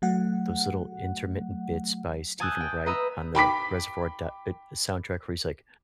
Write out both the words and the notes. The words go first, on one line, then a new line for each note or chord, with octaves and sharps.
those little intermittent bits by Stephen Wright on the Reservoir Do e soundtrack where he's like,
F#3 A3 F#5
G#5 A5 D#6 E6 F#6 G6
G5
B4 D#5 A#5 B5 D#6 E6
G5 B5 D6 B6